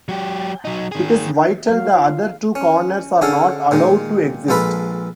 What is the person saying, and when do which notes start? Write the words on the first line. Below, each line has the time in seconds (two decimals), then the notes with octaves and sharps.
It is vital the other two corners are not allowed to exist.
0.09 F#3 G4
0.65 F#3 D#4
0.92 D#3 G#4
1.69 F#3 F5
1.94 F4
2.55 C#4
3.21 D3 C#4 G#4 A4 F5
3.71 A#2 D#3 G#3
4.48 A#1 G#3 F4 A4 B4 B5